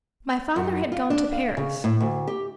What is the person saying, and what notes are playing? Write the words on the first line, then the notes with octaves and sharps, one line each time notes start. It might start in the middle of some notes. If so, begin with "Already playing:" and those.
My father had gone to Paris.
F#2
F4
D4
F5
C#3
A2
D2
G4